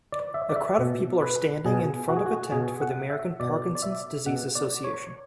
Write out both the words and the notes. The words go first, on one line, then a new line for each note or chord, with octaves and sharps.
A crowd of people are standing in front of a tent for the American Parkinsons Disease Association.
D5
E5
D5
E5
B2
B4
B2 G#4
F#4
G#4
F#4
B2 G#4
F#5
E5
B2 D5
D5
E5
B2 F#5
D5
C#5